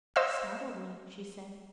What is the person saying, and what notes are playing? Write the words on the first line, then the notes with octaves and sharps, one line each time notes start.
"You startled me," she said.
C5 D#5 F5 E6